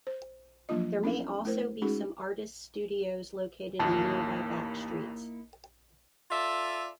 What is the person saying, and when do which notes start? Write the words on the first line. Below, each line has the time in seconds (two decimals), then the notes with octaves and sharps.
There may also be some artists' studios located in nearby back-streets.
0.07 C5
0.69 F3 F#3 A#3 D4 F4 D#5
1.03 B3 C#4 D4 E4 A4
1.45 A3 E4 A#4 C5
1.82 G#3 C#4 D#4 F#4 G#4
3.79 A1 D#2 A#3 D#4 E4 A5
6.30 F4 A4 D5 E5